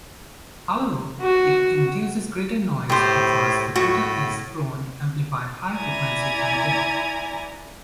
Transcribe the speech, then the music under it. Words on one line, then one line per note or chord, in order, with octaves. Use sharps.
However, it induces greater noise because the filter is prone to amplify high-frequency content.
F#4
A2 G4 C5
A2 F#4
E4 D5 G#5 A#5